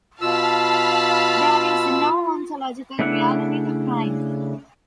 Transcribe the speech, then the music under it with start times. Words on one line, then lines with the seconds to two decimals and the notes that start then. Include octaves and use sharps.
There is no ontological reality to crime.
0.21 B2 F4 F5 A5 B5 E6
2.99 C#3 A3 D4 E4 F#5